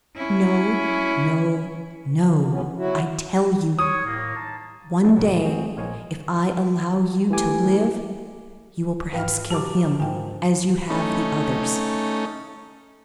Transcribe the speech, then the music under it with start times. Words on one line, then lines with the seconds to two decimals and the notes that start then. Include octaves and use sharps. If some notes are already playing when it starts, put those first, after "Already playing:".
"No, no, no, I tell you; one day, if I allow you to live, you will perhaps kill him, as you have the others!"
0.16 C#4 E4
2.39 G3
2.50 D2 A2 C3 B3 C#4
2.64 E3
2.77 F#3 E4 F#4
3.79 C#5 D#6
4.05 A2 A#3
4.35 D#4 A5
5.03 E3 F3 A3 C4 D4 E4
5.16 C#2 F#2 A#2 E3 F#3
5.41 C4 F#4 G#4
5.77 A#1 A#3 C5 C#5 D#5 G#5
7.30 E3 A3 G4 G#5 D6
9.13 G#2 B4 F5 G5 F6
9.51 F#3 G4 A5 D6
10.00 G#2 D#3 F3 G5 G#5
10.90 A3 C#4 D#4